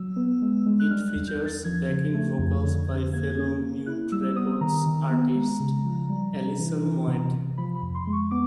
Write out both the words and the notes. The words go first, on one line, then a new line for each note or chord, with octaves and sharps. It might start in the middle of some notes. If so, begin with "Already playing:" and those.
It features backing vocals by fellow Mute Records artist Alison Moyet.
Already playing: F#3 E6
B3
G#3
G#3
F#6
G3 F6
F#6
E2
G6
E2
A6
F3 G#6
C#3
A3
F2
D3
F2
A#3 G#6
G#6
C#4
A#3
E4 F#6
G3 E6
B3 D#6
D#3 A#5
D#3
B3
G#3
C#3
F3
G3
C3
E3
E3
C3
C3
F3 B5
B5
F2
C6
G#3
C#6
B3 D6